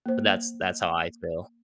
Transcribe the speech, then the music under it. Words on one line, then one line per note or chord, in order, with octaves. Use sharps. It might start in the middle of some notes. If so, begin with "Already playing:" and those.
but that's that's how I feel.
A#3 C5